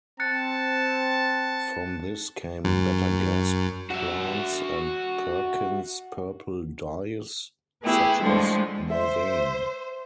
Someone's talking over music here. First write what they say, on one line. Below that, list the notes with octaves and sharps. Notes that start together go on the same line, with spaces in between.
From this came better gas plants and Perkin's purple dyes, such as Mauveine.
C4 A5 F#6 A6 C#7
F#2
F#4 E5
A3 B3 E4 G4 G#4
A2 D3 F3 G3 G#3
C5 E5